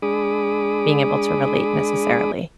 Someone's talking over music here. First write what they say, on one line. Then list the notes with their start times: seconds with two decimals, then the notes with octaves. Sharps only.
being able to relate necessarily.
0.02 G#3 D4 G#4 B5 D6 D#6